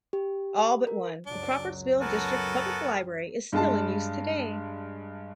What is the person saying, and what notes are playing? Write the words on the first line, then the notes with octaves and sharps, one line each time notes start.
All but one, the Crawfordsville District Public Library, is still in use today.
G4
A#4
C#2 F#2 F#3 D4
B3 F#4 A4 A#4 G#5 A5
G2 G#3 A5